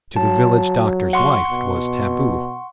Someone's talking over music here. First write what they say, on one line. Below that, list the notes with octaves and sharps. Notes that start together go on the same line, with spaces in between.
To the village doctor's wife it was taboo.
F#3 A5
F#5 C6 C#6
B2